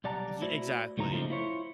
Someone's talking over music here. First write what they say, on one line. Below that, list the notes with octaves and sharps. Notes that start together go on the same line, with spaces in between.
ye exactly.
B1 G3 D5 F#5 A5 A#5
A3 E4 F#4 C5 D5
C#2 A2 F#3 D#4 F4 A#5
C#3 F3 A3 A#3 D#4
E4 F4 C5 C#5